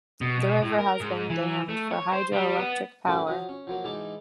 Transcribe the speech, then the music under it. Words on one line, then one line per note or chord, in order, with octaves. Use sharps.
The river has been dammed for hydroelectric power.
B2
B2
A2
A#4
G#2
E3
A3
C#5
C5
G3
B3
F#2 A2 G3 F#4 G4
F3 F#3 D#6
C#4
F3 F#3 A#3
G#2 E3 D#4 A5 D6